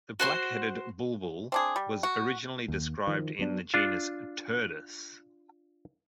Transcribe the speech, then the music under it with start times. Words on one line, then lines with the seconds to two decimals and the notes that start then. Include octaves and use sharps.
The black-headed bulbul was originally described in the genus "Turdus".
0.20 F#4 C5 C6
1.52 C4 D4 G#4
1.76 G3
2.03 F#4
2.68 D#2
3.07 D#3 F3
3.39 F#3 B3 D4
3.74 D4 F4